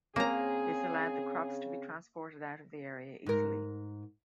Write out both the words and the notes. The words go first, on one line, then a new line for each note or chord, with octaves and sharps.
This allowed crops to be transported out of the area easily.
C#3 A#3 C4 G#4 C#5 A#5
G#2 A#4